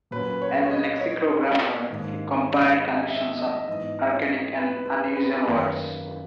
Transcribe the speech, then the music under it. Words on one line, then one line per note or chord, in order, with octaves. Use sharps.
As a lexicographer he compiled collections of archaic and unusual words.
A#2 F#3 C#4 B4
C#5
C#5
D#5
C#5
G#2 D#3 A#3 D#4
D#5
E5
D#5
G#2 E3 B3 D#4 D#5
C#5
B4
B4
B4
F#2 D#3 A#3